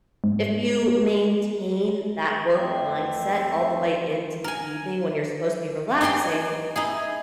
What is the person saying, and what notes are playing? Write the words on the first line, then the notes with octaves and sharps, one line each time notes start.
if you maintain that work mindset all the way into the evening when you're supposed to be relaxing,
G#2
F2 A3 C4 C5 E5
A#4 G#5
D#4 G4 G#4 G5 C6
D#4 E4 G#4